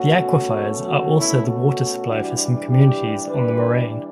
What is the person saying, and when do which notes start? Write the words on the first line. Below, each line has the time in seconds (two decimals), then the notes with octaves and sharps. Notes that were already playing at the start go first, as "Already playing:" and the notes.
The aquifers are also the water supply for some communities on the Moraine.
Already playing: B2 A3 C#4 F#4
0.86 F#4
1.17 E4
1.47 F#4
2.07 E3 G3 D4
2.68 G4
3.28 B4